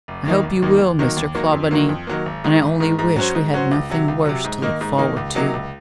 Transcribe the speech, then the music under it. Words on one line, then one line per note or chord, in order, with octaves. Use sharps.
"I hope you will, Mr. Clawbonny, and I only wish we had nothing worse to look forward to!"
F1
D#2 D#3 A#3 D#4
F1
D#2 D#3 A#3 D#4
D#2
D#3 F#3 A#3
D#2
D#3 F#3 A#3
F2
D#3 F#3 A#3
F2
D#3 F#3 A#3
G#1
G#2 D#3
G#1
G#2 D#3
G#2
F#3 C#4 F#4 C5
G#2
F#3 C#4 F#4 C5
C#2
C3 F#3
C#2
C3 F#3
G#2
D#3 A#3 D#4
G#2
D#3 A#3 D#4
C#2
C3 F#3 A#3 D#4
C#2